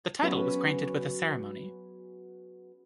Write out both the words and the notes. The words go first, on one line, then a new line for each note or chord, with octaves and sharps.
The title was granted with a ceremony.
F#3 B3 C#4 F#4 G#4 B4